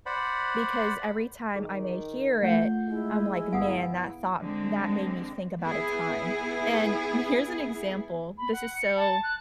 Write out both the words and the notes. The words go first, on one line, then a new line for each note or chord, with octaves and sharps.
because every time I may hear it, I'm, like, "Man that thought that made me think about a time," and here's an example, this is so
C5 D5 F#5 B5
D#3 G#4
A3 F4 F#5 G6
G#3 E4
G1 B3 F5 F#5 D#6 D7
D3 G#3 C4
B3 E4 G#4
B5
F#5
C#7
A5
F#6